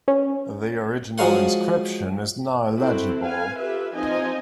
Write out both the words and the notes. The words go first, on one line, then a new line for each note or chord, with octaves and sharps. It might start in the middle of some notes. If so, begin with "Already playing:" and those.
The original inscription is now illegible.
C#4
F3 F#3 G#3 F5 F#5
C4 E4 F#4 A4
B4 F5 G#5
F4 G4 A4 B4 E5
F3 C4 D#4 D#5 G#5